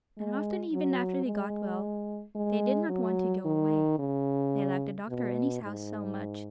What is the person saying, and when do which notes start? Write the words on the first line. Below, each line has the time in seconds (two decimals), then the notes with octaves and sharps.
And often even after they got well, they did not want to go away--they liked the Doctor and his house so much.
0.18 G#3
0.73 F#3
1.26 G#3
2.35 G#3
2.90 F#3
3.45 D#3
3.99 C#3
5.08 B2
5.62 G#2